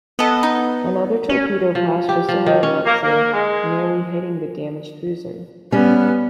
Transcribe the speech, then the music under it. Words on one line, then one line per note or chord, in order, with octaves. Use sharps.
Another torpedo passed just ahead of "Leipzig", nearly hitting the damaged cruiser.
B3 A4 D#5
D#4
C#4
F3
G4
F3
D#3
C#4
A#3
A#3
G#3
G3 B3 C#4